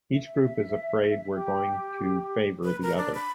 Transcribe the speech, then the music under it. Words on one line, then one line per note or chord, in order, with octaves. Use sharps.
Each group is afraid we're going to favor the other.
E5
G4
B4
A#4
D4
B5